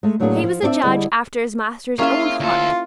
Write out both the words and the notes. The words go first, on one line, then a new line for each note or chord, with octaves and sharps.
He was a judge after his master's own heart.
G#3 A3
A2 F#3 A#3 D4 G#4
F3
C4 D4 F4 D5 E5
D3 G3 E4 G#4 D5 D#5
A#3 C#4 E4 F4 G#4 E5 F5
D2 F4 A4